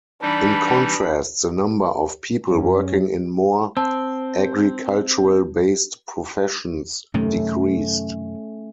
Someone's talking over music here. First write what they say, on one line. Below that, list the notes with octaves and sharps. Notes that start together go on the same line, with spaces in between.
In contrast, the number of people working in more agricultural-based professions decreased.
E3 G3 D4 D#4 B5
F#2 C#4
C4 A5
F#2 C3 D#3 A3 C#4